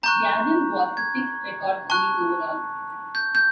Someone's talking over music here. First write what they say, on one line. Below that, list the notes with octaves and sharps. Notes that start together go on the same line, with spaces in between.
The album was his sixth record release overall.
A#5 C#6 F#6 G6
G#6
A5 C#6 F#6
G6
G6